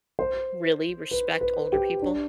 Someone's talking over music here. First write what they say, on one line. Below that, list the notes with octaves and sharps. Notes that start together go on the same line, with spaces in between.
really respect older people
C5
B4
B4
G4
D4